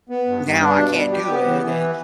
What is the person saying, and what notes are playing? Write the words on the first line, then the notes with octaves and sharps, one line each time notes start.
now I can't do it, and,
B3
G2
G2
D4
B2
G3
G4
B3
E3
E3